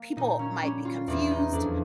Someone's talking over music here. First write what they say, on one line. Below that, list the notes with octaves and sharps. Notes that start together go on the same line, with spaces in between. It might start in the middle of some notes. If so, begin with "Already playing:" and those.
people might be confused
Already playing: A#3
A#2 D#4
C#4
G3 C#4
F4
E2 D4
D#4
F2 D4